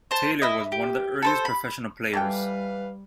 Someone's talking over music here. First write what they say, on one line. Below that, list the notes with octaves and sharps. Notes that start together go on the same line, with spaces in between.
Taylor was one of the earliest professional players.
C5 A5
E4 D#5
G4
A4 B4 C5
B5
E3 G3 A4 B4 F5 G5